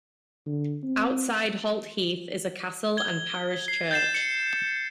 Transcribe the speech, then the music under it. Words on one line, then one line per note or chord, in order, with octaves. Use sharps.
Outside Holt Heath is a castle and parish church.
D3
C4
G#6 G7
C7
G6 A6 C7 E7
C#7